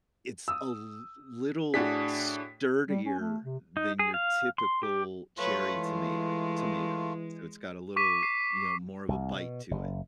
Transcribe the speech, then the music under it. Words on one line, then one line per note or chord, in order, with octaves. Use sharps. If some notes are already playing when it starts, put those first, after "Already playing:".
It's a l little sturdier than your typical cherry tomater tomato. So it's got a little you know, more of a bite to it,
D#6 E6
A2 D4 F#4 G#4 B6
G3
C#4
A3
C3
D#4
G#4
F5
C6
G4
F#3 A3 F4 B4 C#5
E3 G#3
C#6 D6 B6 D#7
C7
C2
B2
F#1